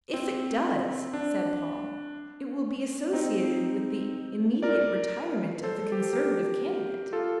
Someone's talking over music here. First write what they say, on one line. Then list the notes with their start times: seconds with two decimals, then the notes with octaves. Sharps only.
"If it does," said Paul, "it will be associated with the immediate retirement of the Conservative candidate."
0.13 C4
1.13 D4
3.13 C4 D#4
4.63 A#4 D5
5.63 A4 C5
5.92 G4
6.03 A4
6.13 G4 A#4
7.13 F4 A4